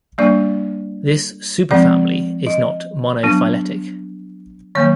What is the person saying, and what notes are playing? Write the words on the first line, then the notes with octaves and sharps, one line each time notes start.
This superfamily is not monophyletic.
G3 A#3 D4 D5
F3 G#3 C4 D5
D#5
F#3 B3 D4
D#3 F#3 A#3 C#5